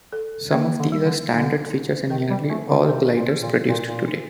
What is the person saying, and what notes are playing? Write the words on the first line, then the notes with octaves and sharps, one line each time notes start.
Some of these are standard features in nearly all gliders produced today.
A4
D#3 A#3
D3
G3
D3
D3 D#4
D#4
D#3 A#4
G3
A3 C4
D3
C3 A#4
A#2
G4
A#2
A#2 A#4
A#2
D#4